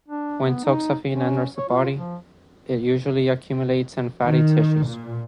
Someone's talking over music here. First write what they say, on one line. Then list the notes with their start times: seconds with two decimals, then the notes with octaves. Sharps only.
When toxaphene enters the body, it usually accumulates in fatty tissues.
0.08 D4
0.44 B3
0.64 D#4
1.12 C#4
1.57 C#5
1.69 F4
1.95 F3
4.24 D#3
4.87 A#2